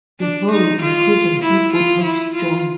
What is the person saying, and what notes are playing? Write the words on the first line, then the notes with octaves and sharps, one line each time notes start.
The bar will increase until both halves join.
D4
D#4
F4
E4
F4
E4
F4